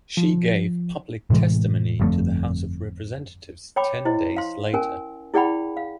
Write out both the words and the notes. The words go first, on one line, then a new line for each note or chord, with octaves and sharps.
She gave public testimony to the House of Representatives ten days later.
F3
A2 C3 E3 G#3
G1 F2 A3
C#5 G5 B5 D6
E4 C5 D#5
F5 C6
C#4 A#4 G#5
E4 G#4 D5 F#5 G5 B5
F5